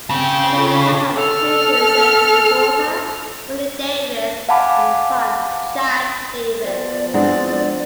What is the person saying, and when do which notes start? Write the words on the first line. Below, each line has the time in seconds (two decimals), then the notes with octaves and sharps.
The couple have two children: a daughter, Whitney Davis, and a son, Chad Davis.
0.10 C#3 C4 G5
0.56 F4 A4 C#5
1.17 A4 F6
4.49 F5 F#5 G#5 A5 B5 D6
6.63 F3 B3 C5 D5
7.14 G#3 C4 D4 E4 D5 F#5